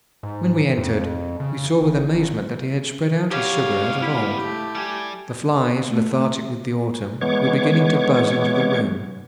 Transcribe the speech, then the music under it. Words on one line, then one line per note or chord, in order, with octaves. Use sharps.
When we entered we saw with amazement that he had spread out his sugar as of old; the flies, lethargic with the autumn, were beginning to buzz into the room.
G#2
F2
C#3
G1
G#1
B2 G3 G4 C#5 F5
E4 B5
A3 G4
G3 G#5
A3
E3 G#3 B3 C#5 C#6 D6